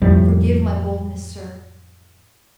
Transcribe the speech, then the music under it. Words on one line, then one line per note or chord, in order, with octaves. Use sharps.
Forgive my boldness, sir.
F2 A2 G3